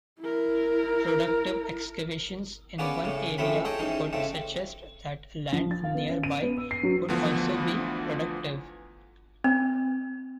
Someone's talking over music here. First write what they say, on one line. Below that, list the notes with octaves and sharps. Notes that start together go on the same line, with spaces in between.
Productive excavations in one area would suggest that land nearby would also be productive.
E4 A#4
A#3 B3 C#4 G#4 B4 D5
A2 C#3 C#4
A#1 A2 A3 C4 C#4 B5
G#4 A4 C#5 D#5 G5
G#2 E3 G#3 C#4 D#4
G#2 C#3 A3 C4
F3
A6
F5
B3
C#4
D#7
B3
E6
C7
F#3
D2 D3 E3 F3 B3
C4